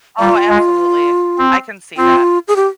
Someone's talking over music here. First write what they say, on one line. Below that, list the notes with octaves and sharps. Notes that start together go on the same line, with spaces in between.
Oh, absolutely. I can see that.
G3 F4
G#3
C4
C4 F4
G#4
G4